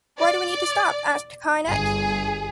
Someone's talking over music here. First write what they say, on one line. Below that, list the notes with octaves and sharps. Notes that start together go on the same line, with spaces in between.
Why do we need to stop? asked Keinec.
D5
G1 G#4